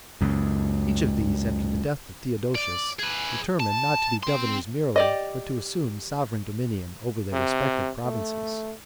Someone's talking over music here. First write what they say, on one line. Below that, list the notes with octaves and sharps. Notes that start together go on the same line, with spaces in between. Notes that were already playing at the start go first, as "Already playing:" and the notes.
Each of these, after the death of Theodosius, determined not to be governors merely, but to assume sovereign dominion over their respective provinces.
C#2 F#2
D5
G#4 B4
A5
C4 C6
G4 D5 D#5
C3
A3